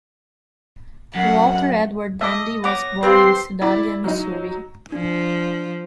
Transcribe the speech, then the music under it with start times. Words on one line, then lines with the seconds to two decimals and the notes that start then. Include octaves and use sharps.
Walter Edward Dandy was born in Sedalia, Missouri.
1.15 F#2 F#5
2.21 D#5 E5 A5 D6
2.64 B3 C#5 F#5 D6 A#6
3.03 C4 D4 F4 G4 B4 C5 C6
3.62 E4 D5
4.04 F#3 D#4
4.92 F3 D4